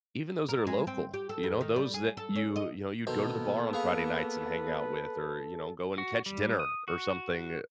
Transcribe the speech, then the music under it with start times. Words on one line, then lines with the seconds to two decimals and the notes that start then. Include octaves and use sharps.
even those that are local, you know, those that you you know, you'd go to the bar on Friday nights and hang out with or, you know, go and catch dinner or something, uh,
0.49 A#4
0.67 G#3
0.87 C4
1.14 G4
1.29 A4
1.43 F2
1.61 D#3
1.76 G3
1.94 G#4
2.17 A4
2.36 C#4
2.56 D#5
3.07 B2 D#3 A#3 B3 A4 C5
3.73 G#4 B4 F5 C#6
5.98 F#4
6.26 G3
6.59 D#6
6.88 F#4